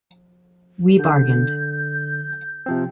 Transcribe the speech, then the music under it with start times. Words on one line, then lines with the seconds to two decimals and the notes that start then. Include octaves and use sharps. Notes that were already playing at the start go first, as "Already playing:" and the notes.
We bargained.
0.99 D3 G6
2.66 C3 F3 C4